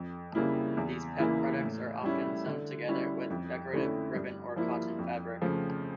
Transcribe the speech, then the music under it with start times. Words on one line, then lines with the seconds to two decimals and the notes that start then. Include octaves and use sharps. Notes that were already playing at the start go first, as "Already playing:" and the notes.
These pet products are often sewn together with decorative ribbon or cotton fabric.
Already playing: F2
0.35 C#3 G3 A#3 E4
0.77 E2
1.19 C#3 E3 A#3 E4
1.61 A2
2.03 G3 C#4 E4
2.46 D3
2.88 G3 C#4 E4
3.30 F2
3.73 D3 A3 C#4 E4
4.15 G2
4.56 F3 A#3 E4
4.99 F2
5.42 C#3 F3 A3